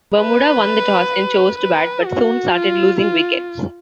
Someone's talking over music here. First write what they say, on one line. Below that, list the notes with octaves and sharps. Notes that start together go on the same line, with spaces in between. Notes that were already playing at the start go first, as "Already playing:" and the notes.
Bermuda won the toss and chose to bat, but soon started losing wickets.
B4
B4
F#4
F4
F4